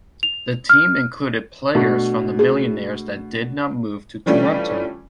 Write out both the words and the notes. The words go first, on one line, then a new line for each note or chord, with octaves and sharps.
The team included players from the Millionaires that did not move to Toronto.
F7
F6
B2 A3 D4
G#4
E3 G3 A3 C#4 D4 F4